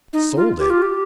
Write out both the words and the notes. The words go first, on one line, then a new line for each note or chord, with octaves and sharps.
Sold it!
D#4
F4
G4
F4
G4